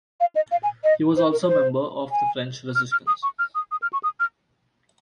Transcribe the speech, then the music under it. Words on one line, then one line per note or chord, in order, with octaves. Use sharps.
He was also member of the French Resistance.
F5
D#5
F5
G#5
D#5
C5
A#4
C#5
C5
G#5
F6
F6
D#6
C#6
F6
D#6
D#6
F6
C#6
D#6
F6